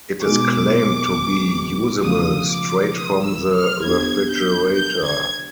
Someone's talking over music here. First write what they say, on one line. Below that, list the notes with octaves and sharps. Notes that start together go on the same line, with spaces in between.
It is claimed to be usable straight from the refrigerator.
B2 G#3 B3 D#4 G#4 D6
C#3 F3 A3 D#6
D6
D#6
E6
F6
B3 D4 G4 G#6
G6
G6
G#6